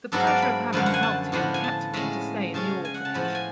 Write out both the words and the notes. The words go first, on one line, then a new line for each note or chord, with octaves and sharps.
The pleasure of having helped him kept me to stay in the orphanage.
G#2 F#3 B3 D4 A4
F5
D5
B5
F#2 D3 F3 B3 F5
F#5
G#5
A5
A2 F3 B3 D4
G#5
A5
A2 G#3 C#4 B5
C#3 G#3 C#4 A5
G#5
F#5
A5
A2 F3 B3 B5
A5
G#5